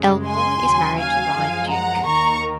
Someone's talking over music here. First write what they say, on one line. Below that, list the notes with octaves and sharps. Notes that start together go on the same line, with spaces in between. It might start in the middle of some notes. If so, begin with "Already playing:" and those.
Elmore is married to Ryan Duke.
Already playing: F#2 C#3 G#3
G#5 C6
D#2 C#3 F#3
F5 G#5
F#2 F3 G#3
F#5 A#5
D#2 D#3 A#3 A#5 C#6